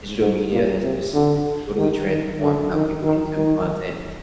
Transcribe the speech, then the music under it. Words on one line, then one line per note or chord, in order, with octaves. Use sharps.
digital media has just it's totally transformed how people consume content.
G#2
A#2
C3
D3
D#3
D#3
D3
D#3
D#3
D#3